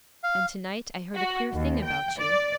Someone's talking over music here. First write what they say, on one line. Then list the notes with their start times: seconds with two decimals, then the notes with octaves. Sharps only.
'And to-night I heard a queer thing about you.'
0.24 F5
1.15 F#4
1.52 D#2
1.84 G5
2.18 D5